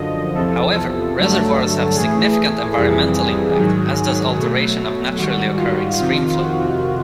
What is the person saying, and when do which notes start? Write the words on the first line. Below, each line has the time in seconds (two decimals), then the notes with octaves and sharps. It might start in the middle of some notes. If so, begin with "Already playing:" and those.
However reservoirs have significant environmental impact, as does alteration of naturally occurring stream flow.
Already playing: F#2 D3 F3 D#5
0.35 E2 C3 F3 A4
1.16 G2 D3 F#3 A3
1.96 A2 E3 A3 G#4
2.76 F2 C3 E3 G3
3.56 G#2 D#3 F#3
4.36 B2 F#3 A3
5.17 G#2 D#3 G3 F#4
5.57 F4
5.97 F2 C3 D#3 F4
6.37 F#4